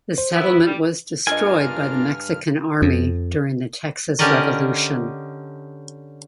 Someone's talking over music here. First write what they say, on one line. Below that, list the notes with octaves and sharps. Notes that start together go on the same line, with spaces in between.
The settlement was destroyed by the Mexican army during the Texas Revolution.
C5
B3 E4
G3
G2 D4 F4 A4 A#4 D#5 G#5 F6
F2
D3 C#4 G4 A#4 D5 D#5